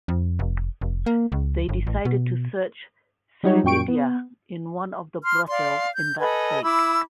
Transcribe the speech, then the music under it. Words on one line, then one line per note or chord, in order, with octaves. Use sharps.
They decided to search Srividya in one of the brothel in that place.
F2
F1
F1
A#3
C#2
G1
A1
B2
F#3 G3 D#4 F#4 C#5
F#2 A#2 G5 C#6 D7
B3
C6 F6
D5 F5 C6
G6
A4 B4 D#5 G#5
E4 B5 D6 E6